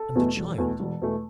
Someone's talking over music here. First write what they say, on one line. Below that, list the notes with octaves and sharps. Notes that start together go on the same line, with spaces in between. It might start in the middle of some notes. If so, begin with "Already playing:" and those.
And the child?
Already playing: A4
E2 B2 A3
E1
E2 B2 A3
E1
E2 B2 A3